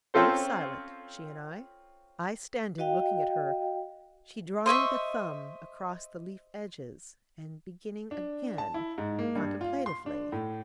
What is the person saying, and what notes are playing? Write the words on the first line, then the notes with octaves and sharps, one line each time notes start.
We were silent, she and I; I standing, looking at her, she drawing the thumb across the leaf-edges, and beginning again, contemplatively.
C4 C#4 F4 A4 C5
F#4 D#5 F5 G5
C5 D#5 E5 C#6
D4
A5
E4
G#2
A#3
G2
F4
C6
D4
A2